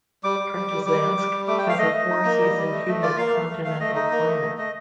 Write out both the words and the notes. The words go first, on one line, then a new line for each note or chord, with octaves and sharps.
Partizansk has a four-season humid continental climate.
G3 D6
G3
G3
G3
G3 D6
G3
G3
G3
A3 D6
G5
A3
F5
A3 D#5
A3
D#4
A#3
G3
G3
A3
A3
F4 D5
A#3 F5
A3
A3
A3 F5
A3 D#5
D#4 D#5
A#3
A3
A3
A3 D#5